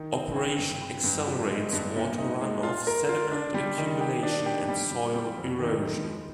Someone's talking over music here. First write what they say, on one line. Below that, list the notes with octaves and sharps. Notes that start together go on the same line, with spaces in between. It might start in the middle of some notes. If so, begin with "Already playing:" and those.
Operation accelerates water run-off, sediment accumulation and soil erosion.
Already playing: D#3
C4
C4
G2
C4
G2
F3
G#3
G2
A#2
D#4
G#3
F4
A#4
F4
D4
G3
D#3
G4
D4
G4
G3
G3
G3
F2
D#3
G#3
F3